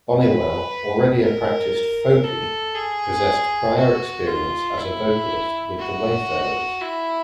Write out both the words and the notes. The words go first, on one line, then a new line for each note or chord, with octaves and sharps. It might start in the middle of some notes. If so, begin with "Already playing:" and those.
Bonniwell, already a practiced "folky," possessed prior experience as a vocalist with the Wayfarers.
B4
A#4
A4
G#4
F#4
F4
E4
F#4
E4